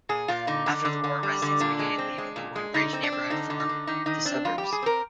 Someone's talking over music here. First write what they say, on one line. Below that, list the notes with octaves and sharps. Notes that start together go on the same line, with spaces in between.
After the war, residents began leaving the Woodbridge neighborhood for the suburbs.
A#2 G#4
A#2 F4
D3 D#4
D3
D3
D3
G3
D3
A#2 D4
G#3
C4
G#3
A#2
G#3
D3 D#4
C4
D4
C4
D3 D#4
D3
D#4
D3
D#3 D#4
D#3 D#4
C4 D4
F2 F4
G4
G3
G#4
C4 A#4